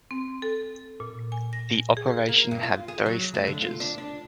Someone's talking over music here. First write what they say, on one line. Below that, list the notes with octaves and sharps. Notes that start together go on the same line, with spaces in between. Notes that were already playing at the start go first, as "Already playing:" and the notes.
The operation had three stages.
C4
A4
A#2
G#5
A#6
G#4
A#3
G2
F4
G#4
F#3
A3
D3
F4
D4
D4